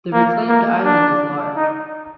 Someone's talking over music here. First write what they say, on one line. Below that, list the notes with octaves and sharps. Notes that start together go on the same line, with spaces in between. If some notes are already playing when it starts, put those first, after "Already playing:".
The reclaimed island is large.
A#3
A#3
D4
D#4